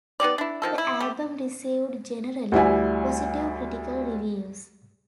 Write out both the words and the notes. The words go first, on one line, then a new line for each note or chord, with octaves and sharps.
The album received generally positive critical reviews.
B3 D#4 G4 D5
D4 E4
D#3 F3 A4
E4
A3 G4
D2 G3 E4 G#5